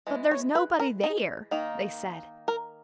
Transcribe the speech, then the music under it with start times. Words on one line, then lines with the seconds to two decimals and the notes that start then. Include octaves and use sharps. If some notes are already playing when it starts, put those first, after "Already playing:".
"But there's nobody there," they said.
0.07 E3 G#3
0.31 C#5
0.55 B4
0.80 A#4
1.04 D#4
1.51 D#3 A#3 D#4
2.48 A#4